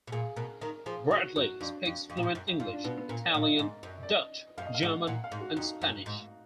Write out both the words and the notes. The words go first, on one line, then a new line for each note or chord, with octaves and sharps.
Bradley speaks fluent English, Italian, Dutch, German and Spanish.
B2
A#2 G#4
B2 A#4
D#3 A#4
F3 G#4
D#3 F#4
F#2 F#4
F2 D4
F2
F2
A#2
G#2
F#2
F2
G#2 F4
D4
B2 B3
B3
A#2 A#4
D5
A#2
D#5
G#2
F#2
D5
D#5
F#2 F5
D#5
F5
G#2 F#5
A#2 F#5
F5
G#2
F#4
F2 D#4
F#2
G#2